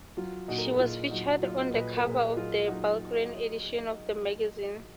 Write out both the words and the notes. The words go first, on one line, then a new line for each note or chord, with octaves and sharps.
She was featured on the cover of the Bulgarian edition of the magazine.
F#3 F4
A#2 D#4 F#4
A#4
G#4
F#4
A#2 F4
F#3 D#4
F#3 F4
A#2 B4 D#5
A#4
A#2 G#4 B4
F#3 F4 G#4
F#3 D#4 F#4